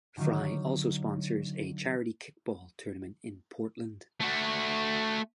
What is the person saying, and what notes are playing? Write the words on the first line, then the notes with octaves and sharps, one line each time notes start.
Frye also sponsors a charity kickball tournament in Portland.
D3 D#3 F#3 C#4 D#4
A3 F#4